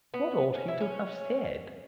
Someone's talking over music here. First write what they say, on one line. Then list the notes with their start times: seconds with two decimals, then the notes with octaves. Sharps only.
What ought he to have SAID?
0.14 B3
0.55 C#4
0.68 E4
0.80 C#4